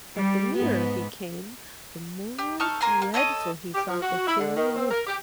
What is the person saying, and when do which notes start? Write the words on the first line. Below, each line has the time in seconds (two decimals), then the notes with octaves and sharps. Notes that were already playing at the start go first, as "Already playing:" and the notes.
But the nearer he came the more dreadful he thought the kiln looked.
0.17 G3
0.57 G#2 B3
2.38 G4
2.60 D#4 A4 C#6 F6
2.81 A#3 A#4 G#5 C6
3.02 A#3
3.14 A4 C#5 D#5 D#6
3.74 G4
3.88 F3
4.02 F#4
4.27 E4
4.39 D3
4.56 D#3
4.76 C4
4.91 A#4
5.07 G4